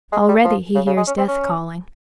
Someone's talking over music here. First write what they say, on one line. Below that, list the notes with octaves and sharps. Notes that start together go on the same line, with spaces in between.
Already he hears death calling.
G#3
G3
F3
C#3
C#3
G#3
C#4
C4
C#4